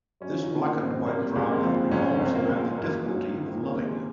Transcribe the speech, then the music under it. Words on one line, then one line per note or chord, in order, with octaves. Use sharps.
This black and white drama revolves around the difficulty of loving.
F#3 C#4
F4
D#4
D#3
A#3
G#2
C4
C3 A#3
C#2 G#3
A#3
G#3
F3 C4
C#2 C#4
C4
C#2
C4
A#3
C#2
G#3
F#2 A#3
F#3
D#3
C3 A#3
G#3